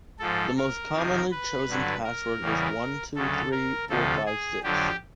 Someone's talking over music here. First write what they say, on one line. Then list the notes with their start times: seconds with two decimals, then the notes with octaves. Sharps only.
The most commonly chosen password is one two three four five six.
0.19 G#2 F3 A4
0.57 A#4
0.94 F2 C3 D#3
1.31 B4
1.68 G2 D3 F#3
2.04 A#4
2.41 E2 C#3 E3 G3
3.15 D2 C#3 F#3 A4
3.52 A#4
3.89 D2 C3 F3 A4
4.26 G#4
4.63 F2 D3 F#3 G4